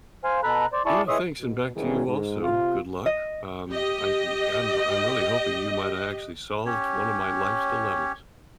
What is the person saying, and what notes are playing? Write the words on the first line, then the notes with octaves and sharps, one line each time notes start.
Yeah, thanks, and back to you also, good luck, um, I ye I'm I'm really hoping you might o' actually solved one of my life's dilemmas.
C5 F5 G#5
B2 A4 A#5 B5 F#6
C5 D5
E4 G#4 D5 A5 C#6
E3 G#3 C#5 E5 C6 D#6
B2
C2 G#2 D#3 E3 C#4 G#4
G#2
C3 F4
D#5
G4 D#5
C#4 G4 C#5